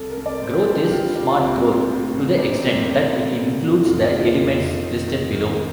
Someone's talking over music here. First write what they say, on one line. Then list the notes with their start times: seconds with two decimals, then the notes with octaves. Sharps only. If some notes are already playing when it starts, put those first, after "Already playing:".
Growth is "smart growth", to the extent that it includes the elements listed below.
Already playing: C2 A4
0.09 A#4
0.17 C2
0.26 D5
0.42 C2 C5
0.53 G4
0.58 A4
0.66 G3
0.74 G4
0.85 G4
0.91 G3 F4
1.15 G3 D4
1.40 C2 C4
1.64 C3
1.89 A2
2.13 A1
2.38 A1 D4
2.55 C4
2.63 A2 A#3
2.71 C4
2.87 A1
3.12 A3
3.36 A2
3.61 A1
3.85 F1 F4
3.97 D#4
4.07 D#3 D4
4.18 D#4
4.34 F1
4.59 F1
4.83 D#3
5.08 D#3
5.33 D#3